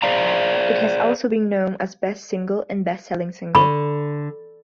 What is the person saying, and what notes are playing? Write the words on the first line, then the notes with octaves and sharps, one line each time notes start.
It has also been known as Best Single and Best Selling Single.
G#4 C5 D5 F5 A#5
D3 B5 C#6